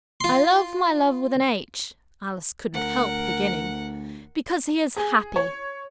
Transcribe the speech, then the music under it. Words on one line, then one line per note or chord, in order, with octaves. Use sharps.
'I love my love with an H,' Alice couldn't help beginning, 'because he is Happy.
F4 C6
D2 A#4 F#5
G#4
C#5